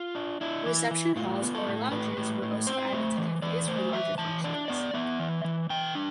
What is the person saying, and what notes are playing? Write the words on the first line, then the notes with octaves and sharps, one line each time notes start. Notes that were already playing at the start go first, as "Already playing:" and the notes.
Reception halls or lounges were also added to cafes for larger functions.
Already playing: F4
D4
D4 E4
E3
E3
A2 F4
B3
A4
A2
A2 B4
A2
A2
C4 C5
A3
E3
E3 D5
A3 C5
E3 E5
E3 A5
D4 D5
B3 D5
B3 E5
E3
E3
E3 G5
D4